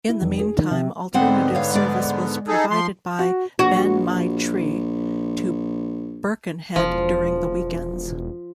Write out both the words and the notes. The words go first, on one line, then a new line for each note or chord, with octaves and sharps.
In the meantime alternative service was provided by "Ben-my-Chree" to Birkenhead during the weekends.
E4
F1
G#4
D#3
C3
G#2 D3 B3 C4 F#5
C#5 F5
G#3 D5
D#4 G#4 A4
F3 C6
F#4
A#1 F#4
E1 F3